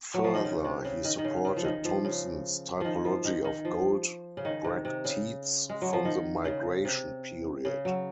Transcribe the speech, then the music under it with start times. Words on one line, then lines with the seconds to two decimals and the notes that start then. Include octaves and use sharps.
Further he supported Thomsen's typology of gold bracteates from the migration period.
0.14 F#3
0.24 F3
0.34 D#3
0.45 C#3
0.65 C3
0.85 C#3
1.04 D#3
1.18 D#3
1.25 C#3
1.45 C#3
1.56 F3
1.64 D#3
1.85 F3
2.05 C#3
2.81 D#3 F3
3.05 F3
3.25 D#3
3.45 D#3
3.65 F3
4.37 C#3
4.45 D#3
4.65 C3
4.85 C3
5.05 C#3
5.69 G#3
5.81 F#3
5.93 F3
6.05 D#3
6.45 C#3
6.85 C3
7.65 C#3
7.85 F#3